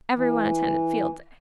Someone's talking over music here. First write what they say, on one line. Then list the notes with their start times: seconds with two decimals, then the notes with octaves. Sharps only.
Everyone attended Field Day.
0.17 E3